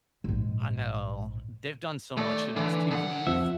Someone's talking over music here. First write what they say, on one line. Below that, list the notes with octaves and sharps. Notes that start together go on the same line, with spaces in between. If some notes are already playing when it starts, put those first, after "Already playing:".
I know, they've done so much to those TVs.
A#1 G#2
D#2 A3 D5
D3 E3
C2 F#5
F2 F3 E5